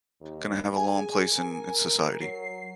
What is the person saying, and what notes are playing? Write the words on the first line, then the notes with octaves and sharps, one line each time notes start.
gonna have a long place in in society.
D#2
G#4 G#5
A#4
F#3 C7